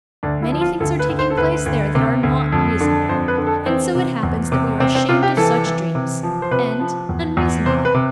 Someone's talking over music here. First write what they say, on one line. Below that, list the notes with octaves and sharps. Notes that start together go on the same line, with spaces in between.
Many things are taking place there that are not reasonable, and so it happens that we are ashamed of such dreams, and unreasonably.
D2 D4
E4
F3
F4
D2 A4
B4
D2
C5
A4
D2 B4
D2
C3
D2
F2
D3
F2 C5
B4
D3
A4
E3 C4
C3
E2
C3
C3 C4
C4
C3 F4
G4
E3 A4
E3
C3
F3
C5
C3 B4
F3
E2
E2
C3 C5
B4
C3